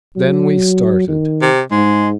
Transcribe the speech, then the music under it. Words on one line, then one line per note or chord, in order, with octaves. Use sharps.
Then we started.
F#3
D#3
C3
G#2 G#3